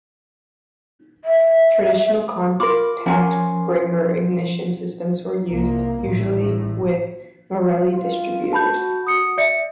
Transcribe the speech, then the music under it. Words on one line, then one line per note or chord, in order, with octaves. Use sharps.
Traditional contact breaker ignition systems were used, usually with Marelli distributors.
E5
F4 A#4 B5 D6
F3 C#4 C#5 G#5 C6
C2 A#3
A1 A2
F4
F#4 A5 B5 G6
D#6 C#7
D5 E5 C#7